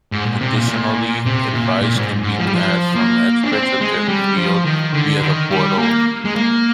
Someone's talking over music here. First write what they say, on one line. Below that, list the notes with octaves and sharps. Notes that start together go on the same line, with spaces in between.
Additionally, advice can be asked from experts of their field via the portal.
G#2
A#2
C3
A#2
A#2
C3
A#2
A#2
G#2
G#2
F3
G3
F3
A#3
D4
C4
G#3
G3
F3
D#3
D3
D#3
G3
A#3
G#3
A#3